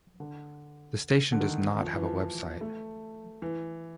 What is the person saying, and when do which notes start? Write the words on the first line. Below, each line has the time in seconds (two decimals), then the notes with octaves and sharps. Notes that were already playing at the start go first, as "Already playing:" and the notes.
The station does not have a website.
0.20 D3
1.32 D3
1.41 D#3
1.81 F3
1.93 E3
2.05 F3
2.61 A3
3.42 E3